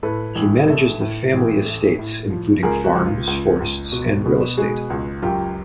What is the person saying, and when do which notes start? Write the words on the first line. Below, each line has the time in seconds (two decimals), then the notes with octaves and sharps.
He manages the family estates including farms, forests and real estate.
0.03 A2 A4 B4
0.35 A1
0.68 A3
1.01 A2
1.33 A1
1.65 A3
1.99 A2
2.30 F3
2.63 C#2 G#4 A#4
2.84 F#4
2.95 C#2
3.06 F4
3.27 C#2
3.60 C#2
3.92 B2 F#4
4.26 B2
4.57 G#3 F#4 G#4
4.90 C#2
5.22 F#2 F4 G4